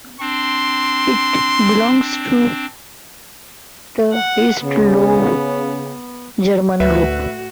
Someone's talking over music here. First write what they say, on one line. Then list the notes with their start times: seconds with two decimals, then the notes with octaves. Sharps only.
It belongs to the East Low German group.
0.20 C4 D4 C6
4.12 F#5
4.62 C#3 B3
6.80 D2 A2 F#4 B4 E5